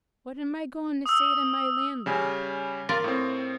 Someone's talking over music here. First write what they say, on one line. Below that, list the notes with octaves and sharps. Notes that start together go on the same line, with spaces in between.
What am I goin' to say to my landlord?
D#6 E6
C#3 G3 G#5
F4 A#4 D5
A2 C4